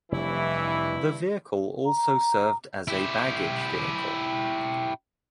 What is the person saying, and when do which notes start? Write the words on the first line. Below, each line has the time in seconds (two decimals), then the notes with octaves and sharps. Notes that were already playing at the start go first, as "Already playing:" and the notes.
The vehicle also served as a baggage vehicle.
0.12 F1 G2 E3 E4
1.86 A#5
2.88 E4 G4